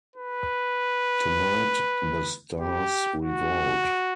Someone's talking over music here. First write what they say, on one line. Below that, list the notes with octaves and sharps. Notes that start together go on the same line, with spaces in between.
Tonight the Stars Revolt!
B4
G4
F#4